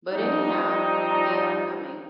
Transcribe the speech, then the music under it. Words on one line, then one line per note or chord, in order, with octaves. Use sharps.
But anyhow, they are coming.
F3 G3 C4 D4 D#4